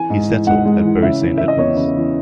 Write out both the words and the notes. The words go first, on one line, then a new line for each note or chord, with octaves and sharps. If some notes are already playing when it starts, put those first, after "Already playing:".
He settled at Bury Saint Edmunds.
Already playing: E3 G#5
G#2
E3
G#2 F#5
G#3
E3
C#3 E5
E3
E3 E5
D#5
E2 C#5
C#3
E3